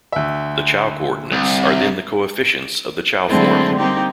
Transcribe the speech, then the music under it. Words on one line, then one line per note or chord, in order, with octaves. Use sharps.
The Chow coordinates are then the coefficients of the Chow form.
D2 E5
C2
D3 F#3 G#3 A3 C4 E4
G3 A#3 C4 D#4 G4